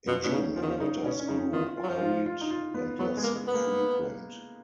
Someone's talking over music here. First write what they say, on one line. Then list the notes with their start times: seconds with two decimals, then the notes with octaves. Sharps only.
In June her letters grew hurried and less frequent.
0.07 B2 F4
0.23 B2 C#4
0.32 C#3 D#4
0.56 F3 F4
0.62 D#3
0.70 F3
0.80 C#3 D#4
1.05 B2 C#4
1.20 C#4
1.28 C#3 D#4
1.53 D#3 F4
1.77 F4
1.83 F#3
1.89 F3
2.02 F4
2.26 F4
2.41 D#4
2.50 F4
2.74 B3
2.99 F#3 B3
3.17 G#3
3.23 A#3
3.35 G#3
3.47 B3
3.54 A#3